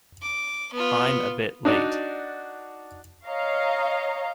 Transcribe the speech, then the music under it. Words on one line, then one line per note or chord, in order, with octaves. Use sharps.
I'm a bit late.
D6
B3 F4
D4 D#4 F#4 D5
C#5 D#5 F5 A#5